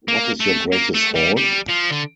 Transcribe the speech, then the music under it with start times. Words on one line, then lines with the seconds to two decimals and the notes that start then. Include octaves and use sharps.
What is your greatest fault?
0.08 A#3
0.40 A3
0.72 A#3
0.95 A3
1.16 G3
1.37 G3
1.69 F3
1.92 D3